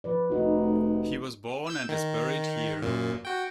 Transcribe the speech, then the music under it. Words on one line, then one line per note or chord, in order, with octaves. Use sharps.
He was born and is buried here.
F3 B4 D5
F1 A3 D#4 F#4
E6 G6
D#3
F#2 A#2
F#4 G5